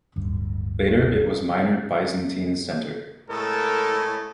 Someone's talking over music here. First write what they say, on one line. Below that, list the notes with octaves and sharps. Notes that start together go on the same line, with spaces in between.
Later it was a minor Byzantine center.
D1 D2 G2
A2 G#3 A3 A4 A#4